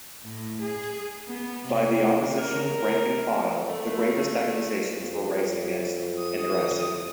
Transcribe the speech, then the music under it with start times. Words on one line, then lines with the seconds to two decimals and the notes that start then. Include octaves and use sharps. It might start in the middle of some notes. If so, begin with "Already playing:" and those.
By the Opposition rank and file the gravest accusations were raised against Andrassy.
0.24 A2
0.61 G#4
1.28 B3
1.66 C3
2.36 A#4
3.68 A3
5.00 F2
6.18 D#6